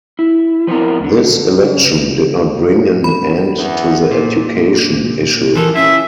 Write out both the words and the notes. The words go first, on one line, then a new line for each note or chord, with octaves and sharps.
This election did not bring an end to the education issue.
E4
F3 B3 C4 E4 A#4
D3
C#3
B5
E2
A#2
E3 F3 A4 A#4
C#4 E4 F4 E5